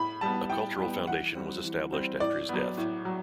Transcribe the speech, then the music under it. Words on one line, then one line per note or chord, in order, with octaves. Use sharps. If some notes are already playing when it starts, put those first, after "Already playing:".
A cultural foundation was established after his death.
Already playing: A2 B5
G3 B3 A5
A2 G5
G3 B3
E3 F#5
G3 C4
E3
G3 C4
A2 D5
F#3 B3
A2
F#3